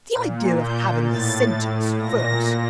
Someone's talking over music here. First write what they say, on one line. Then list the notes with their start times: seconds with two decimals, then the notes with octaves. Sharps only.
'The idea of having the sentence first!'
0.15 A#2
0.61 G6
1.06 A2 A6
1.97 A#2 A#6